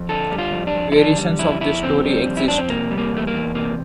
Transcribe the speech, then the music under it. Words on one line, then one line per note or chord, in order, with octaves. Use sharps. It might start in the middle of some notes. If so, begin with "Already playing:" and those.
Variations of this story exist.
Already playing: F2
D3 A4
G3
F4
F2
D4
F2
E4
D3 D4
G3
F2 E4
F2 E4
D3 C4
G3
F2
E4
F2 D4
C4
C3 A#3
G3
A#3
E2 A3
A#3
E2
C3 A#3